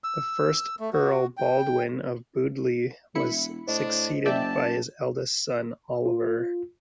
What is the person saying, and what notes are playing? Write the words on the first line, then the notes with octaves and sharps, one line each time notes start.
The first Earl Baldwin of Bewdley was succeeded by his eldest son, Oliver.
E6
A3
F#4
G5
E1 E4 B5 C#7
A2 D4 C5 D#5
F#1 D5 E5 G5 A5
F4